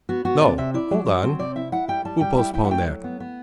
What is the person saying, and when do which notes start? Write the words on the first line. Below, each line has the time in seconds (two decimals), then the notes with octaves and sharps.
No! Hold on! We'll postpone that!
0.09 B3 F#4
0.25 B3 F#4
0.41 C3 D5
0.58 C3 E5
0.74 E4 D5
0.91 F#3
1.06 F#3
1.23 C4
1.39 C3 D5
1.56 E4 E5
1.72 E4 F#5
1.88 G3 G5
2.05 G3 A5
2.21 G3 G5
2.37 E4 G5
2.54 E4 G5
2.65 F#5
2.71 A3 G5
2.86 F#3
3.04 B3
3.20 B3